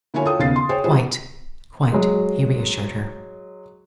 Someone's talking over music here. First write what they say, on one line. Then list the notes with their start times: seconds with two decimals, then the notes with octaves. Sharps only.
"Quite--quite," he reassured her.
0.14 D3 A#3 E4 F#4 C#5 G#5
0.25 F4 A4 C#5 G5 D#6
0.39 D#2 C#3 B3 F5 A6 C7
0.56 C6
0.69 G#4 C5 C#5 G5
0.84 F3 G3 E4 G#4 C5
1.92 F#3 G#3